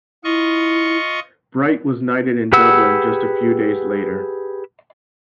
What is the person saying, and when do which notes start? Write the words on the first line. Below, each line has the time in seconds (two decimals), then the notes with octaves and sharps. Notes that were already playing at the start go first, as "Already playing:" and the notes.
Bright was knighted in Dublin just a few days later.
0.24 E4 F4 D#5 C#6
2.53 G4 G#4 B4 F#5 E6